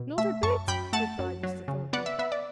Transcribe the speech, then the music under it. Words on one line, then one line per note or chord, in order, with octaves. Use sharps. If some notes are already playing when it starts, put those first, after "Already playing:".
'Not a bit,' replied Mr. Thornton.
Already playing: B2
A3 E5
F#2 A5 C#6
F#2 G5 B5
A3 F#5 A5
F#2
F#3
C#3
B3 D5 F#5
E5
B3 E5
D5